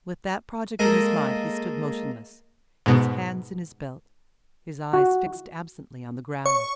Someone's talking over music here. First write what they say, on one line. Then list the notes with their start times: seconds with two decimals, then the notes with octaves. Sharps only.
With that project in his mind he stood motionless--his hands in his belt, his eyes fixed absently on the ground.
0.79 G#3 A#3 A4
2.86 G#2 B2
4.93 F#4
6.46 C#5 C#6